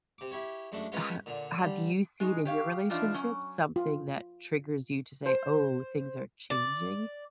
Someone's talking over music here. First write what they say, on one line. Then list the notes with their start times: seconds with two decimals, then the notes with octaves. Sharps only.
ha have you seen in your relationship, something that triggers you to say, "Oh, things are changing?"
0.18 C3 D6
0.31 E4 G4 C#5
0.72 F#2 G#3 A3 D4
0.92 G#3 C#4 F4 A#4 B4 C#5
1.26 A#2 D3
1.58 D3 G3
2.20 G#3 D#4
2.45 G4 C#5 F5
2.90 E3 F3 D4 D#4 F4
3.14 F#3 C#4
3.76 F4
5.26 C5
6.50 D5